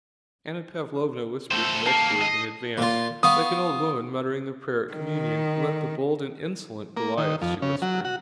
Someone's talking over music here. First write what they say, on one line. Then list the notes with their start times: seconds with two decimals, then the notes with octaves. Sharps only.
Anna Pavlovna whispered the next words in advance, like an old woman muttering the prayer at Communion: "Let the bold and insolent Goliath..." she whispered.
1.51 D#2 A3 A4 C5
1.86 A#3 A5 C7
2.22 D#5
2.78 A#2 F4
3.23 B3 F5 C#6 D#6
4.93 D#3
6.97 A#3
7.17 D#3
7.42 F2
7.62 C#3
7.82 F#3
8.05 F#4